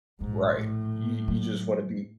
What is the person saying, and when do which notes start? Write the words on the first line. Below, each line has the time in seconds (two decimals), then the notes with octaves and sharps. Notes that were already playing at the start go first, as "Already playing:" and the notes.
Right, you you just wanna be
0.21 A#1 G#2
0.58 A2
1.28 F#3